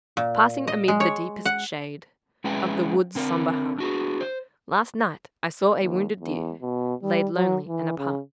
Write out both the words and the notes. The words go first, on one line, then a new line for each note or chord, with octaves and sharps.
Passing amid the deepest shade Of the wood's sombre heart, Last night I saw a wounded deer Laid lonely and apart.
A#2
D#5
G#3
C#5
F#5
G#3 C#4 E4 G#4 B4 G5
D3 C4 A#4
D4 F#4 G#4
C5
D#2
E2
B2
G3
F#3
E3
C#3